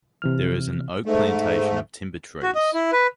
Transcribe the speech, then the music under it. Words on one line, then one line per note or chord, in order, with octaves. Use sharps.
There is an oak plantation of timber trees.
C3 E3 F6
G#2 A3
F#4
D#5
E4
B4